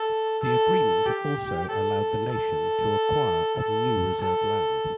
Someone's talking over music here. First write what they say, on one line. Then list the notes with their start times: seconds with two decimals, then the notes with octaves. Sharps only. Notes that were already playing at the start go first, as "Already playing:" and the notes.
The agreement also allowed the Nation to acquire of new reserve land.
Already playing: A4
0.43 A4
1.06 G4
1.69 A4
2.32 A4
3.58 A4
4.21 A4